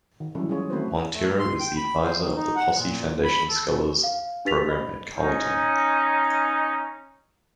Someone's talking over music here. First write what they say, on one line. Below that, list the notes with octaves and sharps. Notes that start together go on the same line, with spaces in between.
Montero is the adviser of the Posse Foundation scholars program at Carleton.
D#3
E3 F#3 G3 C#4 E4 A4
G#3 C#4 F4 G#4 C#5
D#3 A3 C4 F#4 B4 C5
A3
C6
G5
B5
C5
D#3
D#4
F#5
A#2
B5
A4
B2
F5
D4 G4 B4 A6 B6 F7
D#5 B5
C#4 D#4